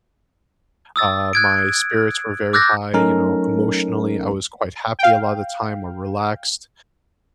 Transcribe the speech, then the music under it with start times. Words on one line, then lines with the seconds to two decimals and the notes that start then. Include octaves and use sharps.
uh, my spirits were very high, you know, emotionally, I was quite happy a lot of the time or relaxed,
0.96 D#6 E6 A6
1.33 F#6 G#6 D7
2.53 D6 E6 F#6 G6 A6 A#6
2.93 F#3 A3 C#4 D#4 A4 A#4
4.99 F5 G5